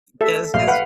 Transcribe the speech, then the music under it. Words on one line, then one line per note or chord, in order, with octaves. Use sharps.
Yes, just
A4 E5
A#1 F5
B4 F5 F#5